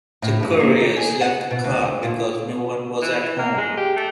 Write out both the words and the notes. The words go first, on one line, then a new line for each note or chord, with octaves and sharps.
The couriers left a card because no one was at home.
A2
G2
A#3
D#3
G#4
F#5
B2
D2
A#2
E3
E3
A#3
G#3
G4
A3